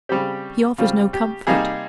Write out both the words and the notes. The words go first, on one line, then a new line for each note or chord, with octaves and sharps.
He offers no comfort.
C#3 G3 C4 G4
C#3 G3 C4 F4
G4
C3 G3 A#3 D#4 G#4